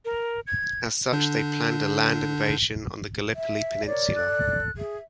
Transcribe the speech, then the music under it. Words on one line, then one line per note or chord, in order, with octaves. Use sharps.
As such they planned a land invasion on the Gallipoli Peninsula.
A#4
G#6
D3 D4 G6
E5
A#4 C#5 D5
A4 F#6
G#4 E5